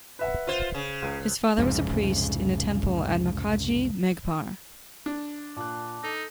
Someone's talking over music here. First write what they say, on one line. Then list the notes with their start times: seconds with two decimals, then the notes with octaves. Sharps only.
His father was a priest in a temple at Makaji Meghpar.
0.19 B4 E5 F#5
0.47 F4 C5
0.74 C#3
1.02 C#2
1.58 C2 F2 G#2 C#3
5.06 D4
5.56 A#2 A5 D6 F#6
6.03 D#4 A4